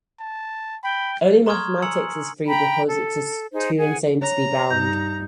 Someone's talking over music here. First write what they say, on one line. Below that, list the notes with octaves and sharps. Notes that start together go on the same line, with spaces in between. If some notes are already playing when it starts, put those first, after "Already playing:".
Only mathematics is free, because it is too insane to be bound.
A5
G5 B5
A#5 C6 C#6 D#6 F6 G#6
G#5 A#5 E6 C#7 F#7
G5 A#5 B5
A4
D#4 G#4 C5
G#4 F#5 G#5
C#5 A#5
G2 D#4 G6